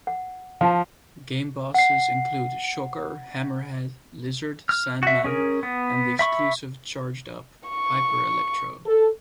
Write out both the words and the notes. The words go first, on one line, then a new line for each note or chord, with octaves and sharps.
Game bosses include Shocker, Hammerhead, Lizard, Sandman and the exclusive charged-up Hyper-Electro.
F#5
F3 F5 A5
F#5 C7
F6
F#4 E5
C#4 G#4 A#4
B3
E5 B5 C#6
C#6
A4